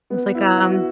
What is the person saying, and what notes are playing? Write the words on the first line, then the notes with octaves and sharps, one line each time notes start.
I was like, um,
B3
E4
F#4